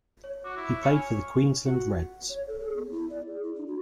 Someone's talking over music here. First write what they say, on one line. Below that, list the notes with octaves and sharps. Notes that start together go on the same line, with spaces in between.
He played for the Queensland Reds.
C#5
F#4 D6
E4
C#5 G#5 F6 C#7
F#4
C#5
A4
G#4
B3
E4
D5
G#4
E4
D4
F#4